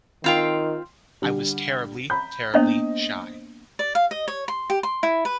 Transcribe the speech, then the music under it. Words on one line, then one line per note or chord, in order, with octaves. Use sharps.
I was terribly, terribly shy.
D#3 C4 F4 G5
D3 G3
A#5 B5 G6
A#3 B3 D4 C5 D#5
D5
F5
D#5
C#5
C6
G4
C6
E4
B4